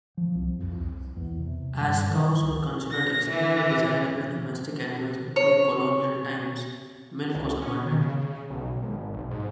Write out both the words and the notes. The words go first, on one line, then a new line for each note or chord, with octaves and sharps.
As cows were considered extremely desirable domestic animals in precolonial times, milk was abundant.
F3
C2
F2
C2
E2
C3
G2
D#3
C#2
A#6
E3
C#5
C#2
C#4
D#3
C#3
B1
G#1
B1
G#2